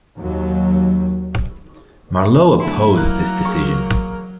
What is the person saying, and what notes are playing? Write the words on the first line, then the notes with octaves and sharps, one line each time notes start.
Marleau opposed this decision.
D#2 F#3
D3 F#3 A3 E4 C6
F#3 A#3 E4 A#4 F#6
G#4 C#6